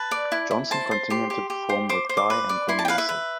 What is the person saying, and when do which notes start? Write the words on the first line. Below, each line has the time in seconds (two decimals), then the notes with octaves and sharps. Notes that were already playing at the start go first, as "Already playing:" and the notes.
Johnson continued to perform with Guy and Gwin Massey.
Already playing: B4 A5
0.11 D5
0.32 E4
0.51 E4
0.71 C5 A5
0.91 C5
1.10 G4 C6
1.30 G4
1.50 G4
1.69 C5
1.89 C5 D6
2.09 C5
2.17 D6
2.30 B4
2.49 D5
2.69 E4 C6
2.79 A5
2.85 G5
2.88 B4 F5
2.98 E5
3.09 B4